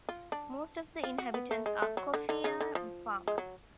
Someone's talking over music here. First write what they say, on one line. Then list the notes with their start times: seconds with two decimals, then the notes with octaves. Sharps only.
Most of the inhabitants are coffea farmers.
0.09 F4
0.32 D4
1.04 F4
1.18 F#4
1.34 B3
1.51 A3
1.66 G#3
1.82 A3
1.97 F#3
2.14 D3
2.29 D3
2.44 C#3
2.61 D3
2.75 F3
3.28 G#3
3.38 F#3